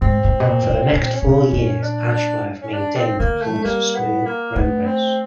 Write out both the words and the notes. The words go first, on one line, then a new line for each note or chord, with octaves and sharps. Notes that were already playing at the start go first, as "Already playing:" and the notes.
For the next four years Ashworth maintained the club's smooth progress.
G#2 C4
A2
B2
A#2
B2
A#2 C#4
C4
C#4
B2
A#2
D4
D4
C#4
D4
C4
D3 A#3
A3
G#3
G3 A#3
B3
A#3
A3 B3
C4